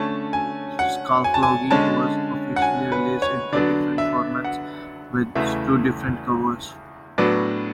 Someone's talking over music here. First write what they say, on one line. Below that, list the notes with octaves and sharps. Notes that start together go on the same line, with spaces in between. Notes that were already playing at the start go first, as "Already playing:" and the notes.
"Scatology" was officialy released in two different formats with two different covers.
Already playing: D3 A3 C#4 A5
G#5
F#5
G#5
A5
G#5
D3 G#3 C#4 A5
F#5
G#5
B4
C#5
D3 F#3 B3 D4 D5
E5
F#5
E2 C#3 E3 A3 E5
A2 F#3 B3 D4